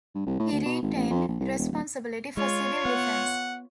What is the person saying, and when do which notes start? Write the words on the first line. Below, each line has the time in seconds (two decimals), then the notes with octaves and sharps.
He retained responsibility for civil defence.
0.15 G2
0.26 C2
0.39 A2
0.52 D2
0.65 B2
0.82 G#1
0.95 A1
1.10 F2
1.28 A#1
1.40 C2
1.58 E1
1.72 D#1
2.37 G#3 F4 C#5
2.85 B3 F#5